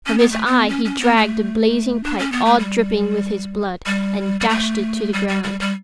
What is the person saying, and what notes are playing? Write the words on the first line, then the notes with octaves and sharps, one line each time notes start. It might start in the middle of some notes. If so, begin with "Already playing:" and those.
From his eye he dragged the blazing pike, all dripping with his blood, and dashed it to the ground.
C#4
B3
A3
B3
C#4
C#4
B3
A3
D4
C#4
B3
A3
G3
G3
G3
A3
G3
G3
G3
G3